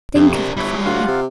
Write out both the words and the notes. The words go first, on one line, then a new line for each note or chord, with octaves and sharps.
Think of it, father.
F2 C3
D4 A#4
G1 G3 E4 C#5 B5
D2 F4 F5 F#5
C3